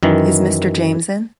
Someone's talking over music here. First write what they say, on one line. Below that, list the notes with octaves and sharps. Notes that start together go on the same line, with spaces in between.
Is Mr. James in?
F#2 D#3 E3